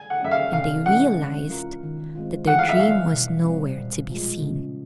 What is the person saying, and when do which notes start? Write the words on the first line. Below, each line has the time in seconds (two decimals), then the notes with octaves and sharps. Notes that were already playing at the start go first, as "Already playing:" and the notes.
And they realized that their dream was nowhere to be seen.
Already playing: G#5
0.10 F#5
0.20 F#3 A#3 C#4 F#4 E5
0.31 F5
0.53 C3 F5
0.85 E3 G#3 C#4 E4 F#5
1.18 C#4
1.50 F4 A#4
1.83 D#3
2.15 G#3 C4 F4
2.47 E3 F#5
2.59 F5
2.69 E5
2.80 G3 B3 F5
3.12 B2
3.44 G3 C4
3.78 A#2
4.10 F3 G#3
4.42 C#3